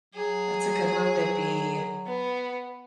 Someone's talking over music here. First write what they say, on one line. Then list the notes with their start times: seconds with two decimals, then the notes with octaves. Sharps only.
that's a good way to be,
0.15 F#3 G#4
2.05 B3